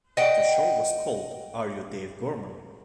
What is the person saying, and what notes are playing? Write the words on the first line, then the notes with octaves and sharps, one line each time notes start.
The show was called "Are You Dave Gorman?".
D#5 F#5 G5